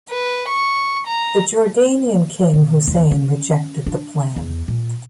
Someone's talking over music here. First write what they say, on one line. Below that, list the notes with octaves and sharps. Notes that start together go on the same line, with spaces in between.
The Jordanian King Hussein rejected the plan.
B4
C#6
A#5
B2
D#2
C#4
D4
E2
A#2